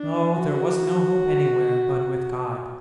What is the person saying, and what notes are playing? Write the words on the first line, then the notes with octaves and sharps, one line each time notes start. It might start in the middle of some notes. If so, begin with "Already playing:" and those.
No, there was no hope anywhere but with God.
Already playing: D4
F#4